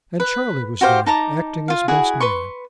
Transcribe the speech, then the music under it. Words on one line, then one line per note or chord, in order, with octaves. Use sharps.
And Charley was there, acting as best man.
B4
F#4 G4 C5 F5
D#4 A5 A#5 D6
F4 F5
E4 F#4 G#4 F#5
B4 C6 C#6